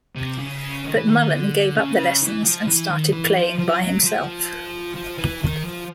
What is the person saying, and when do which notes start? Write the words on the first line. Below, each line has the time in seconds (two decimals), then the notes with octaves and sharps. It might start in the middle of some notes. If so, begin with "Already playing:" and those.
But Mullen gave up the lessons and started playing by himself.
0.16 C3
0.39 C#3
0.85 D#3
0.97 E3
1.09 D#3
1.30 D3
1.75 C#3
2.21 E3
2.44 F3
2.67 E3
2.90 D#3
3.13 E3
3.36 F3
3.58 F3
3.81 F#3
4.04 F3
4.95 F3
5.18 E3
5.42 D#3
5.64 F3